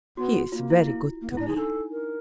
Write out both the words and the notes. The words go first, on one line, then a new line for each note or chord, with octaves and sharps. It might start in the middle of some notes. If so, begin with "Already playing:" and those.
He is very good to me.
B3 F#4
A#3 F4
E4
E4
A#3
B3
D4 E4
D#4 G#4
D4 A4
A#4